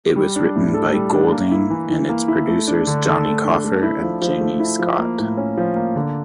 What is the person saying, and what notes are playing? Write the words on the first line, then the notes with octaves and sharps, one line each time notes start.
It was written by Goulding and its producers Jonny Coffer and Jamie Scott.
G3
D4
A2
A4
G3
D4
A#3
E4
E3
E3
A#3
E4
A3
D4
D3
A4
A3
D4
A3
E4
F3
F3
A3
E4
F3
A#3
A2
C#4
F3
A#3
D3